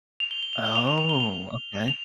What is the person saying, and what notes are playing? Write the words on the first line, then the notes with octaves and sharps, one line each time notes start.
Oh, okay.
F7
G7
G7
F7
G7
F7
F7
F7
G7
F7
F7